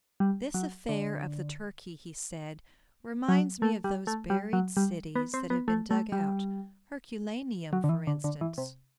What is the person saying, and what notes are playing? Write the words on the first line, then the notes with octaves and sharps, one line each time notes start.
"This affair of the turkey," he said, "reminds me of those buried cities that have been dug out,--Herculaneum, for instance."
G3
F#3
D3
F#3
A3
G3
A3
G3
F#3
G3
B3
C4
B3
A3
A3
G3
F#3
D3
E3
D3
D3
E3
C3